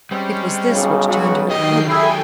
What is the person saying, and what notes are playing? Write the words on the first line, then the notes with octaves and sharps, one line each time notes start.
It was this which turned her cold.
G3 G#3 C4 C#4
B1 C#3
F#3 F#4
G2 B2 D#3 F#3 G4 D#5 G5 C7
E4 G#4 A4 G5 G#5